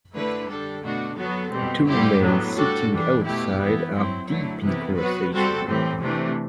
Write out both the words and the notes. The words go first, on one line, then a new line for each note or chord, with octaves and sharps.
Two men sitting outside are deep in conversation.
D3 A3 E4 B4
G3 D4 A4
B2 A3 D4 F#4
F#3 B3 F#4 A4
B2 G3 C4
D3 G3 C4 E4 G4
A2 F#3 B3 D4
G3 D4 F#4 A4
E3 G3 D4
B2 A3 E4 G4
E3 B3 E4
F#3 C4 E4
D3 F#3 A3 E4
C3 E3 B3 E4
F#3 B3 F#4 B4
G3 C4 F#4 A4
A2 E3 G3 C4
C3 E3 A3 D4